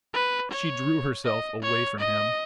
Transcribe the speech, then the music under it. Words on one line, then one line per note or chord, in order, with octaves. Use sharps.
She drew herself away from him.
B4
C#5
D#5
C#5
D#5